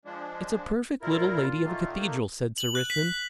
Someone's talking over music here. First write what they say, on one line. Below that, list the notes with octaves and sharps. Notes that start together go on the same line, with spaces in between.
"It's a perfect little lady of a cathedral," said Sir Richmond.
F3 G#3 D4
A#2 E4 F4 A#4
D#3 A3 A#3
F#7
F#6
B6